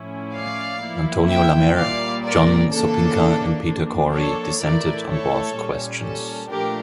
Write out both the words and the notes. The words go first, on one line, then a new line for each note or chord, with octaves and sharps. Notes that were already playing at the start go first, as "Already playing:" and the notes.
Antonio Lamer, John Sopinka, and Peter Cory dissented on both questions.
Already playing: A2 F3 C#4 E4
D5 F5
F3 A#3 E4
E5 G5
A#2 G3 A#3 D5 F5
A#4 D5
C#3 E3 A#3 D4 A4
F3 A#3 D4
A4 C#5
A2 E3 A3 E4 A#4 D5
A4 C#5
A#2 G3 C#4
A4
A#2 F3 A3 D4 G4 A#4